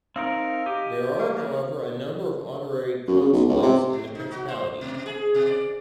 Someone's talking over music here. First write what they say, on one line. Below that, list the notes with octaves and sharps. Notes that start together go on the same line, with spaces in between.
There are, however, a number of honorary consulates in the principality.
C4 D#4 A#4 F5
G4 D#5
A#3
F#2
C#3
B1
C#2
C3
G#2
D#4
F#4
C5
B2
G#4
B2
D5